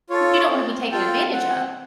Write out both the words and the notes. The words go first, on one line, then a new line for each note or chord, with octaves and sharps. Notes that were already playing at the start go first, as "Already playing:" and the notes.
but you don't wanna be taken advantage of.
F4 A4 C#5
C4
F4 A4 G5
C4 F#5